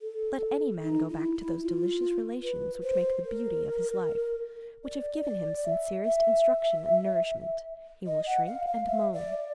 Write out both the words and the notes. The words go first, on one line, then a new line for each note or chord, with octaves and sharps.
Let any man go back to those delicious relations which make the beauty of his life, which have given him sincerest instruction and nourishment, he will shrink and moan.
A4
D#4
E4
E4
F4
B4
C5
A#4
D5
D5
E5
E5
D#5
F#5
F5
F5
E5
D5